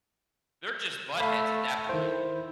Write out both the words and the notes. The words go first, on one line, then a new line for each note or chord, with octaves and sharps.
they're just buttheads at that point.
A3 F5 B5
D#3 E4 C5